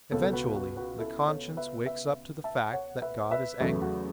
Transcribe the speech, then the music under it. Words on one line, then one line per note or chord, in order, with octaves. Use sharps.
Eventually the conscience wakes up to the fact that God is angry.
C#2 B2 B3 A4 C#5
A4
F#4 B4
F#4 B4
F#4 B4
E4 A4
A4 C#5
B4 E5
B4 E5
E5 A5
C#5 F#5
B4 E5
B4 E5
E2 C#3 F#3 A3 B4 E5
F#4